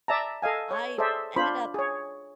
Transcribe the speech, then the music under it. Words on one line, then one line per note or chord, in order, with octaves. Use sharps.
I ended up
D5 E5 A5 A#5
A4 D#5 F5 G#5
C#5
G#4 A4 C5 D5 E5
D4 F4 C5 B5
G#4 C#5